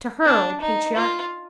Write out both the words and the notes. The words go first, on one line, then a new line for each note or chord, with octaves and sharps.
To her, old patriarch!
D4
D#4
F4